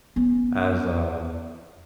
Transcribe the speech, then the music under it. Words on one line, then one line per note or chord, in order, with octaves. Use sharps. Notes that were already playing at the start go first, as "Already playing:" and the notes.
as, uh,
B3 C#4